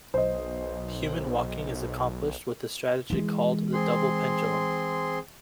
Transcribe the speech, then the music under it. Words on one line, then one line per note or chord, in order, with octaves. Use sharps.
Human walking is accomplished with a strategy called the double pendulum.
B1 C5 D#5
E3 G#3
C4 G#4 C6